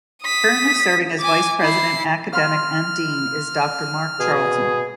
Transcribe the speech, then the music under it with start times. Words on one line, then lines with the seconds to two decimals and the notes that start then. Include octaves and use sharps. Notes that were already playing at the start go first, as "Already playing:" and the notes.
Currently serving as Vice-President Academic and Dean is Doctor Mark Charlton.
0.22 D#6 B6
1.20 G#5 D6
1.61 E4 C7
2.33 F5 B5 C6 F6
4.20 B2 G#4